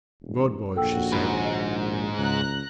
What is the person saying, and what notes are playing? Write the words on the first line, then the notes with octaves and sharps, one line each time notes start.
"Good boy!" she said.
E1
A#1 D#2 F#4 A4 G5 E6
G#2 B5
D#5
C#2 A#5 F#6